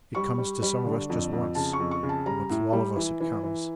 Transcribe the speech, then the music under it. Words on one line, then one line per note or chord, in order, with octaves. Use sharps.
It comes to some of us just once, but to all of us it comes.
G3 C#6
G3
G3
D3
F2
F2
C#3 A5
C#6
F2
C#6
C#3
A5
G3 A#5
A2
G3
E3
E3
E3